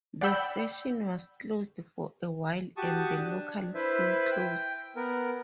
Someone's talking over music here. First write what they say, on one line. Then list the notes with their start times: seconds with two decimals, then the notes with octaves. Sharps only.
The station was closed for a while and the local school closed.
0.21 D5 F#5 G5 B5 E6 G6
2.77 F#4 G4 A5 C#6 D#6
3.17 D4
3.75 E4 B4 C5 E5
4.32 G5
4.96 B3 A#4